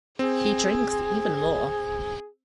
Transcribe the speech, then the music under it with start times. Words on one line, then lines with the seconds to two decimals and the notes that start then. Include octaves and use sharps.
He drinks even more.
0.19 C4 G#4